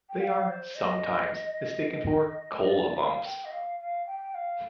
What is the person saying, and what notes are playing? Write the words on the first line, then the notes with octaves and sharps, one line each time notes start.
They are sometimes mistaken for coal lumps.
G5
F5
C5
D#5
D#5
D5
F5
G5
D#5
F5
F5
G5
F5